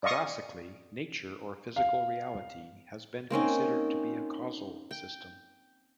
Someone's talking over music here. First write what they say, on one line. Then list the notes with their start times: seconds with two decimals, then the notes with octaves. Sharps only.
Classically, nature or physical reality has been considered to be a causal system.
0.03 D5 D#5 F5 C#6 D#6
1.76 F5
3.30 A#3 C4 C#4 D#4
4.91 G5